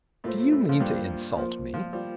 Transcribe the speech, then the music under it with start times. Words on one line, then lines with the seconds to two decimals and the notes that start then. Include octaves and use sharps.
"Do you mean to insult me?"
0.24 A2 A3 A#3 F4 C5
0.52 A2 A3
0.69 F3
0.80 G2 G3 A#3 F4 C5
1.37 F3 A#3 F4 C5
1.74 F3
1.93 G3 A#3 F4 C5